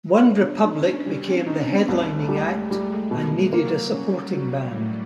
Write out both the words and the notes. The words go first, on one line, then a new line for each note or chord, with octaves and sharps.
OneRepublic became the headlining act and needed a supporting band.
B3 D4
C#4 D#4
G3 C4
B3 D#4
C2 A3
G3 G#3
G3 G#3
B2
F#3 A#3
G3 C#4
F#3 G3
A2